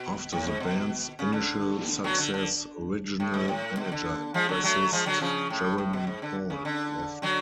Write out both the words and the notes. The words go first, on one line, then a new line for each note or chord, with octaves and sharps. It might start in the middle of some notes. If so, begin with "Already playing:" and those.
After the band's initial success, original manager and bassist Jeremy Paul left.
Already playing: B2
A2
G#2
B2
C#3
D3
D3 F#3
D3
D3
A2
G#2
A2
B2
D3
F3 G#3
D3 F#3
F#3 A3
F3 G#3
D3 F#3
C#3 F3
A2
A2
B2
G#2
D3
C#3
D3
D3 F#3